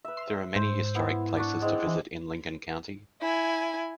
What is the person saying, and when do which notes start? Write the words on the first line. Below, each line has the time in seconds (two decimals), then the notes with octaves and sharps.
There are many historic places to visit in Lincoln County.
0.05 B4 E5
0.56 G#2 C5
0.95 B3 E4
1.37 D4 F#5 C#6
1.62 G#3 C4 E4
1.87 E3
3.21 E4 G#5